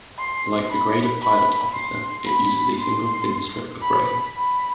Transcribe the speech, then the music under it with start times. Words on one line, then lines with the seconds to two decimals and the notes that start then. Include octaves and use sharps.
Like the grade of pilot officer, it uses a single thin strip of braid.
0.19 C6
0.70 B5
1.22 B5
1.73 C6
2.26 B5
2.78 C6
3.82 B5
4.35 B5